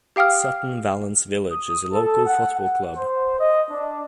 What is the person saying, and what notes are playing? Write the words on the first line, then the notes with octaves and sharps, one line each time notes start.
Sutton Valence Village is a local football club.
G4 F5 G5 D#6 F6
D#6
A4
F#5
F#5
C5
D#5
D4